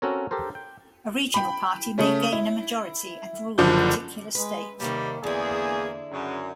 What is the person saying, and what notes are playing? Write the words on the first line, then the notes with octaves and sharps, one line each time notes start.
A regional party may gain a majority and rule a particular state.
C4 C#4 F#4 A4 A#4 C#5
G4 A4 A#4 C5
G5
G5 B5
C#3 A3 C#4
E4
F#1 D3 F3 D6 G6
G#3 B4
D#2 C3 D#3 G3 A#3
E2 D3 E4 G#4
F#2 C#3